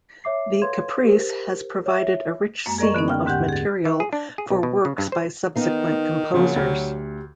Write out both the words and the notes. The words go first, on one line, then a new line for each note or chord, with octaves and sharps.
The caprice has provided a rich seam of material for works by subsequent composers.
C#5 E5 D6 C7
A4 B4 C#5 F5 C6 G#6
G4 A#4 C5
C#5 E5
F#2 G#3 A#3
G#4 A#4 D5 D#5 C#6
D3 B3 C#4 D#4
G5 F6
D#2 G#2 D3 G4 F#5 G6
G#4 A6
E3
G#4
D4
G#4
B1
B2
C#3
G2
C5
D#3 B3 D#4 F5
C#3 F3 F#3 A#3
D2 G4 F6